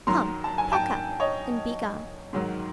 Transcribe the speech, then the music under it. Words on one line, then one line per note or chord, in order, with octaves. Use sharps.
Come! pack up; and begone.
F#2 D#3 F#3 A#5 C6
A5
G#5
G5 A5
C#5 D#5
G#2 D#3 F#3